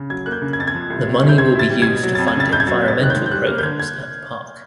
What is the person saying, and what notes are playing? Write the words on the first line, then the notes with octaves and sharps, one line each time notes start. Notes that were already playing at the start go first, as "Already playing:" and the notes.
The money will be used to fund environmental programs at the park.
Already playing: C#3
F#3 G#6
A#3 F#6
G6
C#3
G#6
F2 A6
G#6
F3
C2
C3
C2
G6
C4 G#6
E4 A6
G3
B2 G#6
F#3
F2 A6
G#6
C#3 A6
F2 G6
G#6
F#3 A6
B3 A6
D#3 F#6
G6
G#2
G6
G3 F#6
A#3 F6
G6
D3 G#6
G#6